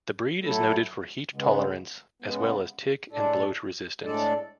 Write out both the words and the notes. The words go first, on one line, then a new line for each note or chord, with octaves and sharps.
The breed is noted for heat tolerance, as well as tick and bloat resistance.
F#3 A3 E4 A4
C#3 G#3 B3
C#3 G#3 B3
A2 G#3 D4 A4 D5
A2 G#3 D4 A4 D5